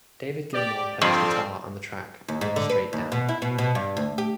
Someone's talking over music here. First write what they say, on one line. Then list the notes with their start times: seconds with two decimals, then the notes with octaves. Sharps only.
David Gilmour plays guitar on the track Run Straight Down.
0.54 G4 D5
1.01 F2 F3 G3 C4
2.28 D#2
2.41 G#2
2.56 D3
2.69 B4
2.93 D#2
3.12 B2
3.29 E4
3.42 B2
3.58 B2
3.75 G2
3.97 D2
4.18 G4